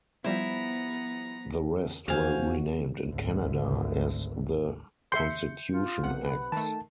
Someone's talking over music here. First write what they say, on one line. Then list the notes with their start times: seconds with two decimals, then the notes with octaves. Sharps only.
The rest were renamed in Canada as the "Constitution Acts".
0.24 F3 G3 B3 E4 C5 A#5
2.08 E2 F#4 C5 F5 G#5
3.07 G#1 D2
5.12 E5 C6 G6 C#7
5.71 F4
6.03 B1 C3 F#5
6.20 B4
6.52 D#3 A3 A5